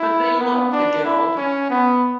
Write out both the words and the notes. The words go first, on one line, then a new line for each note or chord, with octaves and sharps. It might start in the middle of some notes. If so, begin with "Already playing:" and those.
But they loved the Guild.
Already playing: E4
B3
D4
E4
C#4
B3